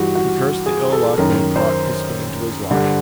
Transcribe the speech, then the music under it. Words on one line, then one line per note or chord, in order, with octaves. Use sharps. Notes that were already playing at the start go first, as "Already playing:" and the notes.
He cursed the ill-luck that had brought Crispin into his life.
Already playing: G2 E3 F#4 G4
F#4
G#4
A4
F#2 D#3 A#4
C5
G2 D3